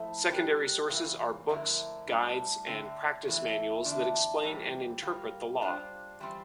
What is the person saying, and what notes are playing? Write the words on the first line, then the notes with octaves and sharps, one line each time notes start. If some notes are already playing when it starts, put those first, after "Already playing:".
Secondary sources are books, guides, and practice manuals that explain and interpret the law.
Already playing: F3 A3 E4 A4 C5
G3 D4 G4 A#4
E2 C3 E3 A#3
F2 D3 A3 E4 A#4
A2 G3 D4 A4
D3 A3 C4
E2 E3 A3
E2 D3 A3 D4
A2 E3 G3 C4
G3 A#3 F4
G3 D4 F4 C5
E3 G3 C4 F4